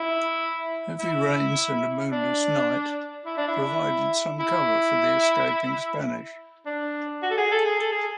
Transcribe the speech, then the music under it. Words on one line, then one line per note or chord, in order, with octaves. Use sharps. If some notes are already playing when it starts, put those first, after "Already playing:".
Heavy rains and a moonless night provided some cover for the escaping Spanish.
Already playing: E4
E4
D4
E4
D4
E4
E4
D4
F#4
A4
G#4
A4
G#4
A4
G#4